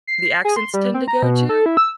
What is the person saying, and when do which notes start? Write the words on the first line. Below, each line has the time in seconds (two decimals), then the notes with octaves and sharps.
the accents tend to go to,
0.07 C7
0.45 G#4
0.56 C6
0.74 G3
0.94 C4
1.08 A#5
1.23 B2
1.49 A4
1.66 E4
1.77 E6